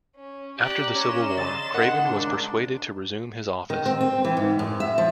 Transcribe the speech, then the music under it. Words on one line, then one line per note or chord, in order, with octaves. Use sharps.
After the Civil War, Craven was persuaded to resume his office.
C#4
G4 D5 A#5 F#6
C#4 C6 E7
C#3 D#5 A6
D#3 F#5
G#2 C#3 D4
D#3
C4
C4
E3
G#2
F#2
E5
F3